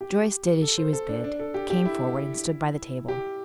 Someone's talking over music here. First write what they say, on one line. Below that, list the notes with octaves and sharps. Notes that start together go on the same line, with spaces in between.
Joyce did as she was bid, came forward, and stood by the table.
G4
A4
C5
A4
D4
D4
A4
G4
G4
E4
G4